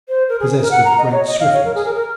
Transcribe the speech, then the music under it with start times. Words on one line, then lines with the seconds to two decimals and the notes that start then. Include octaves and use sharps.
Possessed of great swiftness.
0.09 C5
0.29 A#4
0.40 G#4
0.61 A#4
0.71 F#5
0.85 A#5
0.98 D#5
1.12 C#5
1.26 D#5
1.40 F5
1.54 C#5
1.64 A#4
1.75 G#4
1.85 A#4
1.95 A#4